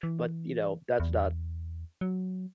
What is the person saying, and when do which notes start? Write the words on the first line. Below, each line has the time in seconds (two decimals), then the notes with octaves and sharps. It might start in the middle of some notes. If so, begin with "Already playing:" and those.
but, you know, that's not
0.03 E3
1.00 E2
2.01 F#3